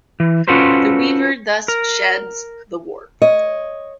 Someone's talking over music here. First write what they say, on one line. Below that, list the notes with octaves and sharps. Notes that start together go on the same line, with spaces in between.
The weaver thus sheds the warp.
E3
C#4 F4 F#4 A4 B4 C5
A#4
C#5 D#5